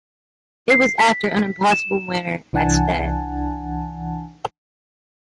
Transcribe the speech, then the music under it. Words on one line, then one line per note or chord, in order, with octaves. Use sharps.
It was after an impossible winter at Ste.
C7
B6
E7
C2 E3 D4 F#5 G#5 A5